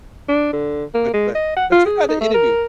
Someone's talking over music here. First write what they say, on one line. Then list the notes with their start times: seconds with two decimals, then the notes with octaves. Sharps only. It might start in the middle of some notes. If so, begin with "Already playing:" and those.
But but but check out the interview.
0.28 D4
0.53 D3
0.94 A#3
1.14 G#3
1.35 D#5
1.56 F#5
1.72 F4
1.86 G#4
2.08 D#4
2.21 A3
2.34 A#4